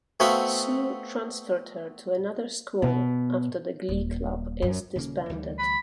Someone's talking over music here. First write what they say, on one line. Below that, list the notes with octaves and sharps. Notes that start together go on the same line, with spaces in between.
Sue transferred her to another school after the glee club is disbanded.
A3 B3 C4 F#4 F5 B5
B2
D#1
F#2
D#1 C#3 A#3
D2 E3 G3
B5